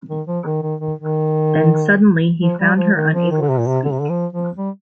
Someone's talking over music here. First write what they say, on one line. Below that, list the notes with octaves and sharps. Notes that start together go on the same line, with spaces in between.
Then suddenly he found her unable to speak.
D#3
F3
D#3
D#3
D#3
D#3
F3
G3
F3
D#3
F3
D#3
D3
C3
A#2
C3
D3
C3
D3
F3
F3
G3